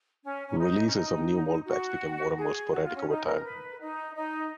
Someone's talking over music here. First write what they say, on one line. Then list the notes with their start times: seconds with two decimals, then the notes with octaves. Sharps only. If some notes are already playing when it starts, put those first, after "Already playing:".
Releases of new mold packs became more and more sporadic over time.
0.24 C#4
0.48 C#4
0.59 D#4
0.86 C#4
0.94 D#4
1.65 F#4
2.38 G#4
2.72 F#4
2.85 F4
2.96 C#4
3.09 D#4
3.26 A#4
3.44 B4
3.80 D#4
4.15 D#4